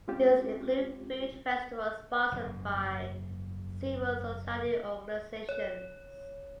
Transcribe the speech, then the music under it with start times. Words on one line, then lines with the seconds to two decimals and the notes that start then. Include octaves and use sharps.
These include food festivals sponsored by civil society organizations.
0.08 G#3 C4 C#4 F4 G4
2.32 F#1 G#2
5.49 C#5